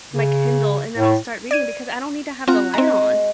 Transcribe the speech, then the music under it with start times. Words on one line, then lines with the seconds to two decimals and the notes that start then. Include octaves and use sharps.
my Kindle and then I'll start reading because I don't need to have the light on.
0.13 C#3
0.97 A2
1.51 D5 G#6 D#7
2.48 C4 F4 F#4 A#5
2.74 G#3 C4 A#5